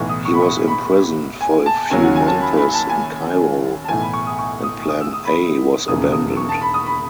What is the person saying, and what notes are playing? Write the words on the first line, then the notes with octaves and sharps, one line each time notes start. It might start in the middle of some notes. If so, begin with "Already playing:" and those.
He was imprisoned for a few months in Cairo and Plan A was abandoned.
Already playing: B1 A2 E3 C#6
D#6
C#6
B5
C#6
B5
G#5
A5
D#2 C#3 F#3 G#5
F#5
G#5
A5
B5
B5
A5
G#5
A5
B1 A2 E3 G#5
B5
C#6
D#6
C#6
D#6
C#6
D#6
E6
D#6
B5
B5
E1 D#2 C#3 E3 D#6
D#6
C#6
A5
B5
D#6
B5